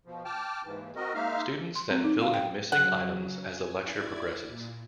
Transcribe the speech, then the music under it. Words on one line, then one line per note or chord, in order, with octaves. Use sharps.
Students then fill in missing items as the lecture progresses.
B2 F3
G5 A5 D6 F6
D#2 G#2 E3
C4 F#4 A#4 D#5
G#3 A#3 D#4 E5 F5 F6
C6
C4
D#4
F5
G5
C#3 F#3 F#5
G#5
E4 D5 G#6
A#2